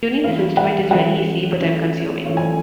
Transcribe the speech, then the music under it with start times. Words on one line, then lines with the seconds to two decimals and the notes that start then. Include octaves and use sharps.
Tuning this instrument is very easy but time consuming.
0.23 E3 A3 C#4 F4 F5
0.57 F#5
0.91 E3 A3 C#4 F4 F#5
1.58 E3 A3 C#4 F4
2.25 E3 A3 C#4 F4
2.37 G#5